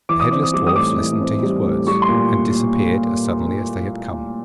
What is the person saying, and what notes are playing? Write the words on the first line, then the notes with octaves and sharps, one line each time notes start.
The headless dwarfs listened to his words and disappeared as suddenly as they had come.
E3 D6
D#6
C4 D6
D#6
G3 D6
D#6
A2 D6
E3
C4
G3
A2
G3 C#6
C6
A#2